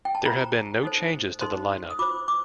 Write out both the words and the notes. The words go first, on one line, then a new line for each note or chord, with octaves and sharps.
There have been no changes to the lineup.
G5
A5
F4 C5 A#5
D#4 A4 C5
D#4 A4 C5 C6
D#6
F4 C5 D6
D6